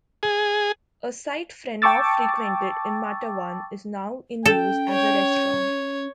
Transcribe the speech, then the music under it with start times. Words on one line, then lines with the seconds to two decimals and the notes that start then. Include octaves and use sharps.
A site Freneau frequented in Matawan is now in use as a restaurant.
0.23 G#4
1.82 G5 A5 C#6 D6 E6 A6
4.46 C#4 A4 G5
4.89 C#5